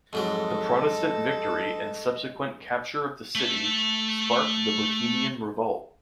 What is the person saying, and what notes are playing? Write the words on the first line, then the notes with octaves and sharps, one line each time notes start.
The Protestant victory and subsequent capture of the city sparked the Bohemian Revolt.
F2 G#2 F#3 A4 D#5
A3 E5